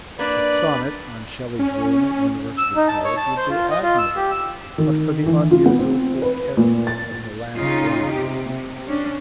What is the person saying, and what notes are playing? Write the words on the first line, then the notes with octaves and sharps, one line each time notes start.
The sonnet on Shelley's room at University College would be admirable but for the unmusical character of the last line.
A#3 D4 B4 D5 B5
C#4
E6
D#4
A5
C#5
A5
C5
F4
D#5
F4
E6
G4
E6
D#3
E3
F4
B3
C4
B4
A#2
A6
C#3 D#4 F4
C3 G4
C3
C#4 D4